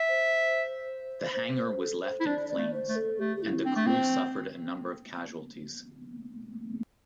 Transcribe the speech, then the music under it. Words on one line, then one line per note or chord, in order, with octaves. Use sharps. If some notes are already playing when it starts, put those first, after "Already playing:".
The hangar was left in flames, and the crew suffered a number of casualties.
Already playing: E5
C5
C5
C5
A4
C5
E4
D4 D5
D5
A3
C5
A3
A4
A3 G4
G4
E4
C4 D4
A3
C4 C5